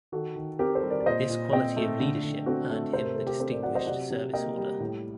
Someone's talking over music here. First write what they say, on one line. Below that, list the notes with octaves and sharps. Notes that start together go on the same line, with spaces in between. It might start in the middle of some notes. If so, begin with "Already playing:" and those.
This quality of leadership earned him the Distinguished Service Order.
D#3 F#4 A4
D#3
C4 G4 A#4
A4 C5
G3
A#4 D5
D5
A#2 C5 D#5
A#2
C4 D#5 G5
A3
D3
D3
C4 F#4 A4
A3
C3 C5
A#4
C3 A4
G4 A#4
C4 A4 C5
A#4 D5
F#3 D5 F#5
C5 D#5
C3 D5 F#5
C3
A#3 D#5 G5
G3
A2